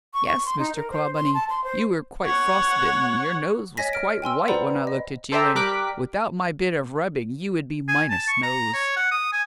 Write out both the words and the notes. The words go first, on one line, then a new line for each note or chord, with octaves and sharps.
"Yes, Mr. Clawbonny, you were quite frostbitten; your nose was quite white when I looked at you, and without my bit of rubbing you would be minus nose."
C#6
C#6
C6
D#4
A#4
C5
C6
A5
C6
C5
C#5 F#5
C#5 D#5 G#5 A#6 B6
F6 D7
G5 G#5 C6 E6
B4 C5 D5 F#5 A#5 B5
D#5
A4 C5 D5 E5 G5 A#5
G3 G4 A#4 D6 F#6 B6
G#5
A5
C#6
A#5
C#5
F#5
D#6
G#5